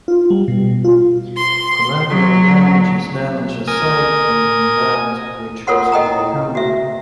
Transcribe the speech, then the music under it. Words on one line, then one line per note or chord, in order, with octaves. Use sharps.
Collateral damage is damage aside from that which was intended.
F4
G3
B2
F4
C6
F#3
A#4 G#5 D#6
F4 A4 A#4 C#5 F#5 C6
A4 D#5 G5 A#5
E4
F#4 E5